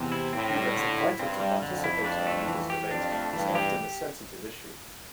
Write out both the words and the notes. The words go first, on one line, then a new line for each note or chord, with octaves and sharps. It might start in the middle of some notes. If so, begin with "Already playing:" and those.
Who gets invited to participate in a leaders' debate is often a sensitive issue.
Already playing: E2 C3
E4
A2 C4
G3
D3
E4
G2 C4
G3
F2 D3
E4
D4
A3
E3
G4
F2 D4
A3
G2 E3
G4